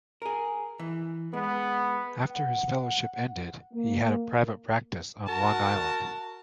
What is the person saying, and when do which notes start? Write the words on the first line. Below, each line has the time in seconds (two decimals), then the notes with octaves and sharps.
After his fellowship ended, he had a private practice on Long Island.
0.22 G#4 A#4
0.79 E3
1.33 G#3 B3
2.30 F#5
3.72 A#3
5.28 F#4 A#4 A5